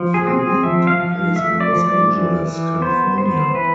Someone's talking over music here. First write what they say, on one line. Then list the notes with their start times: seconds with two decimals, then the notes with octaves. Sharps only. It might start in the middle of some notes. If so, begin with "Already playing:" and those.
Filming took place in Los Angeles, California.
Already playing: F3
0.14 G#4
0.27 C4
0.39 G#4
0.63 F3 E5
0.87 F5
1.00 F3
1.12 F5
1.36 A3 E5
1.60 D5
1.73 F3
1.84 D5
2.09 E3
2.45 E3
2.82 B3 C5
3.18 B3 C5
3.54 E3 B4